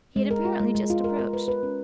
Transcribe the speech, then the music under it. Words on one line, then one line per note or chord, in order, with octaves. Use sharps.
He had apparently just approached.
G#3
A#4
F4
G#3
G#3
F4
A#4
A#4
B4
B4
C#4